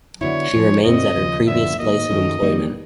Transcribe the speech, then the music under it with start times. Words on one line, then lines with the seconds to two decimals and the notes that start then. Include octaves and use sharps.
She remains at her previous place of employment.
0.21 D3 F#3 B3 E4 C#5
0.53 F3 G#3 C#4
0.84 F#2 D3 F#3 A3 C4 D#5
1.16 D#2 C#3 F3
1.47 F#2 D3 F3 G#3 B3 E5
1.79 G#2 D#3 F#3 A#3 D#5
2.10 F#2 D#3 F#3 A3 C#4
2.42 D#3 G3 A#3 D#4